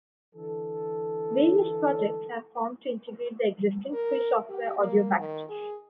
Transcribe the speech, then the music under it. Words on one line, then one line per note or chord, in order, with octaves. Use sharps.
Various projects have formed to integrate the existing free software audio packages.
D3 E3 A4
A#4
G4
A#3
D#3
G#4